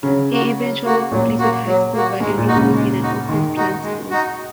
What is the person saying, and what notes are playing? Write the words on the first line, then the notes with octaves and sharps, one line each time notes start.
He eventually completed high school by enrolling in an open plan school.
C#3 F#3
A#3 F#4
F#3
A#3 F#4
A#2 F#3
A#3 F#4
F#3
A#3 F#4
G#2 G#3
A#2
D#4 F#4
C#3
G#3
D#4 F#4
D#3 G#3
D#4 F#4
G#3
D#4 F#4